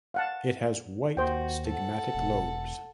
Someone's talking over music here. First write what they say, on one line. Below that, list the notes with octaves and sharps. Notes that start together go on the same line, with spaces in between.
It has white stigmatic lobes.
F5 F#5 A5
D#2 F#4 C5 G5
A4 F#5
E1